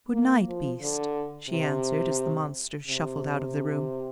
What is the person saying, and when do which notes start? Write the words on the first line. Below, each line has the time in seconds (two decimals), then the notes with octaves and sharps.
"Good night, beast," she answered, as the monster shuffled out of the room.
0.13 A#3
0.47 F3
0.81 D3
1.49 C3
2.87 C3